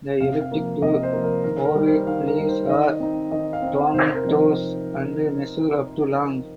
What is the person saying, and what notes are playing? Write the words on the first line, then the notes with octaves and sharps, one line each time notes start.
The elliptic to ovate leaves are tomentose and measure up to long.
C3 F5
F5
F3 A#3
C3 D#5
C5
F3 A#3
A#4
D#3 A#4
A#4
G3 D#4
C5
D#3 F5
A#4
G3 D#4
C5
D#3 D#5
C4 D#4
D#3 D#5
F5
C4
D#4
F5
C3 C5
A#4
F3 C4 D#4
C5